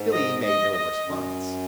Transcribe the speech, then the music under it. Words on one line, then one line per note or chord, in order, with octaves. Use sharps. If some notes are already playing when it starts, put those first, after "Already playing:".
Billy made no response.
Already playing: G#2
D#5
D#5
D#5
F#2